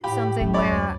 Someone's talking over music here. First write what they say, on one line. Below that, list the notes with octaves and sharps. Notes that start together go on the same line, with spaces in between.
something where
A2 G4 B5
F#2
C#5 D5 B5
D2